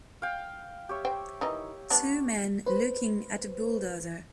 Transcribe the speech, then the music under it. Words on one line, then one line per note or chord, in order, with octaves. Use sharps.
Two men looking at a bulldozer.
F5 G5
G4 C#5 E5
C5 G5
D#3 E3 D#4
B3 D4
B4 C5